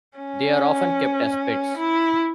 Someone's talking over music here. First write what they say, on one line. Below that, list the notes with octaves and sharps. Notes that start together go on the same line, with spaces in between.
They are often kept as pets.
C#4
E4